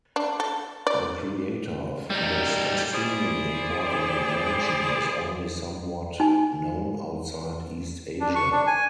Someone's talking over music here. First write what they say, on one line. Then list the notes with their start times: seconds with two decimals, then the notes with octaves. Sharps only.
The creator of this extremely important invention is only somewhat known outside East Asia.
0.16 D4
0.40 A4
0.87 D5
2.10 G3 D#4
2.93 E4 G#4 C5 D5
6.20 D#4 G#5
8.21 D4
8.36 C#6
8.52 D4
8.67 G#5